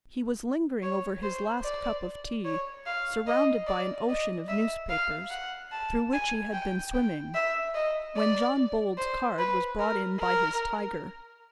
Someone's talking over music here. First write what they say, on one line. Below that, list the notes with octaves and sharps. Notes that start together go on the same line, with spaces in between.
He was lingering over his last cup of tea, surrounded by an ocean of newspapers, through which he had been swimming, when John Bold's card was brought in by his tiger.
C#5
C5
D5
C#5
F5
D#5
D5
D#5
E5
F5
F#5
A5
G#5
G5
G5
E5
D#5
D5
C5
B4
A#4
A#4